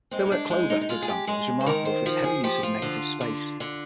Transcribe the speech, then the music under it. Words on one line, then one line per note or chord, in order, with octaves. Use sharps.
Their work "Clover" for example, is remarkable for its heavy use of negative space.
G#3 C4
D#4
D4
G#3 D#4
D#4
D#4
G#3 F4
G#4
G4
G#3 G#4
C5
D#3 A#4
C5
F3
G#4
F3 G4
F4
D3
D3
D3